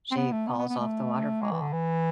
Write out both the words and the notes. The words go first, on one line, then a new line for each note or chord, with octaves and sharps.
she falls off the waterfall.
C4
B3
A3
B3
B3
B3
A3
G#3
E3
D3
E3